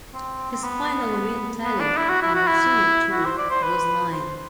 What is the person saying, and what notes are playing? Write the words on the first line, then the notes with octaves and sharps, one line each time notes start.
His final win tally on the Senior Tour was nine.
C4
C4
B3
B3
D4
E4
F#4
E4
F#4
E4
F#4
C5
D5
C5
B4
C5